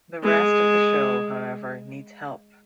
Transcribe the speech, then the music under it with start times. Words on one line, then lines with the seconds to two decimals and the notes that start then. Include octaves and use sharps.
The rest of the show, however, needs help.
0.23 G#3